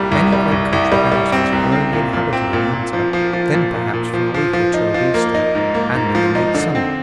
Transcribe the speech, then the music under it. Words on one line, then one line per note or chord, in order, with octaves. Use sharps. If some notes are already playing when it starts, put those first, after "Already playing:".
Many great country-houses are only inhabited in winter, then perhaps for a week or two at Easter, and in the late summer.
Already playing: C2 A#2 G3
C2
G3
C2
C2
G3
G3
C4
C2
C4
A#2
A#2
C4
A#2
A#2
F3
F3
F3
A#2
A#2
A#2
F3
F3
F3
D#4
F3
A#3
D#4
G#2
A#3
G#2
F3
D#4
D3
C4